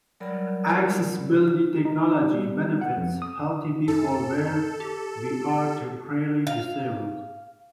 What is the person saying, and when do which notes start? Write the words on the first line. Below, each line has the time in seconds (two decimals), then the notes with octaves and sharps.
Accessibility technology benefits healthy people, where we are temporarily disabled.
0.20 F#3 G3 A#4 C#5 D5 B5
1.85 D#4
2.26 G3
2.81 F#5
2.97 F2
3.22 D#6
3.88 F#2 A4
4.80 G4
6.47 F5